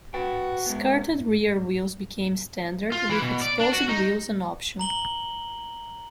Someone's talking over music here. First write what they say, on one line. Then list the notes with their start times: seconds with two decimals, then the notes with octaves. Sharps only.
Skirted rear wheels became standard, with exposed wheels an option.
0.14 F#4 B4 G5
0.66 G#3 B3
2.92 F4
3.09 E3
3.21 B2
3.42 D5
3.60 D4
3.73 F#4
3.89 D#4
4.79 A#5 F#7 G7